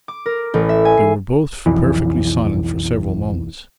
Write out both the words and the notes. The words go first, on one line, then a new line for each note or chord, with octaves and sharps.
They were both perfectly silent for several moments.
D6
A#4
A1
E5
G#5
C7
B1 F2 E3